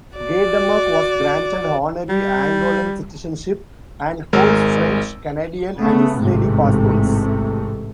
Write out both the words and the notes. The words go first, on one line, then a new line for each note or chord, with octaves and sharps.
Gaydamack was granted honorary Angolan citizenship and holds French, Canadian and Israeli passports.
F#4 D5
G3
G#1 G#3 A#4 E6
C#3 A3 B3
A1 G#2 C3 A3